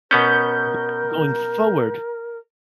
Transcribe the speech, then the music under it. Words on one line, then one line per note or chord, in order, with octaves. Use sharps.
but going forward,
B2 B3 C#4 A#4 G6